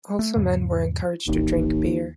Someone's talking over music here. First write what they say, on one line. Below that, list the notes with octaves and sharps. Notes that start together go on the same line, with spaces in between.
Also men were encouraged to drink beer.
A3
E2 G#2 C#3
D1 G#1 D#2